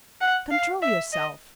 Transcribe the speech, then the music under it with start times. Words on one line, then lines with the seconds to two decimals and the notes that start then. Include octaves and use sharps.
Control yourself!
0.21 F#5
0.51 F5
0.82 E5
1.13 D#5